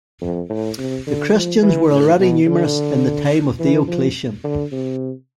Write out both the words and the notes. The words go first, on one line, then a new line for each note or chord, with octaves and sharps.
The Christians were already numerous in the time of Diocletian.
F2
A2
C3
D3
F3
E3
A2
B2
D3
E3
F3
D3
C3